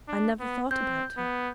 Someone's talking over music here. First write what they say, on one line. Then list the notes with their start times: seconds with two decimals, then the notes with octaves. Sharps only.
'I never thought about her.
0.08 D4
0.40 B3
0.71 C4 G6
1.17 B3